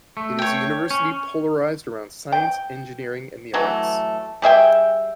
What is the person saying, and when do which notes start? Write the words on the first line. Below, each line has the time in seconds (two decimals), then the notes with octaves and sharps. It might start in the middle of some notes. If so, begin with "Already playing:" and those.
It is a university polarized around science, engineering, and the arts.
0.17 A3
0.39 C#5 G5
0.90 C#4
2.32 G5
3.54 E3 F#3 A3
4.42 G3 G#4 E5 G5